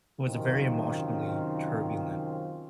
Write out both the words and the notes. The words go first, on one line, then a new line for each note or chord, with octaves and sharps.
it was a very emotionally turbulent,
F#2 C3 D#3 C4 C#4 F4